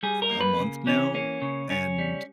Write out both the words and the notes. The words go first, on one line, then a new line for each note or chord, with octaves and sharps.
a month now, and
G3 G#4
A#4
A#3
B4
C#3
E3 C#4
A#3 C#4
C#3
C#3 C#4
G3